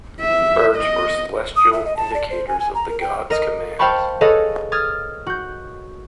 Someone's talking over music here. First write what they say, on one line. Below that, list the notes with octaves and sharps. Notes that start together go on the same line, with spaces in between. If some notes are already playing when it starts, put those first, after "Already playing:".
Birds were celestial indicators of the gods' commands.
E5
D#5
D#6
E5
D#5
A5
D5
C5
G#5
G#5
A#5
A#4
G5
A#4 D#5
C5 F5 G5 A5 B5 C#6
G#4 A4 B4 C#5 D#5 F5
D#6 F6 G#6 A6
F#4 G6